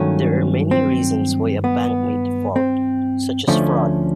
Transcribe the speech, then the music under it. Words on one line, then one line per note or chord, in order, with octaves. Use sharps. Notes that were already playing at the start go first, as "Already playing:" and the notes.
There are many reasons why a bank may default, such as fraud.
Already playing: G2 D#3 F#3 A3 C#4
C4
B3
C4
D2 D3 F3 A3 C#4